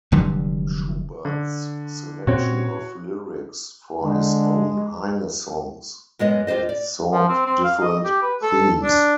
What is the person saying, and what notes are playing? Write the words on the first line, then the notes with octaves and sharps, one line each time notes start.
Schubert's selection of lyrics for his own Heine songs had sought different themes.
F1 D3 F#3 G3
D3
A#2 C4 C#4 F#4 C#5
D3 G#3
F#2 G#3 B3 D#5
F4 G4 C5 D#5
D5
F3
C4
C4
F5
D#5
G4
B4
A4
D4